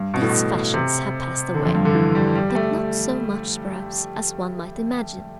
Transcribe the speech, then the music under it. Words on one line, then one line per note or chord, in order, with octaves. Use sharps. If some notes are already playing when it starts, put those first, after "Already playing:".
These fashions have passed away; but not so much, perhaps, as one might imagine.
Already playing: G2
B2
A2
B2
C3
D3
F2
G2
D3
E3
G3
G3
G3
A3